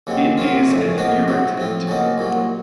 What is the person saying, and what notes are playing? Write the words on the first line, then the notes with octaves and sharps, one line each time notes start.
It is an irritant.
D#2 C#3 F#3 C4
C3 F#3 A#3 F4
F2 C#3 A3
A2 F3 A#3 D#4 F#4
C3 F#3 C4
A2 F3 C4
C#3 F#3 A#3 D#4
C2 A#2 F#3